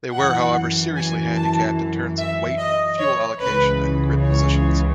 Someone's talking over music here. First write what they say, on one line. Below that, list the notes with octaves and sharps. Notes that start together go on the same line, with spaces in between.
They were however seriously handicapped in terms of weight, fuel allocation and grid positions.
F#2 E3 F#5
G#5
A5
E5
D#5
C#5
C#2 C#3 E3 B4
C#5